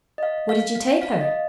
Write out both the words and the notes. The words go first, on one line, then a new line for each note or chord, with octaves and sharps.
'What did you take her?'
D#5
F5
F5
F5
F5
D#5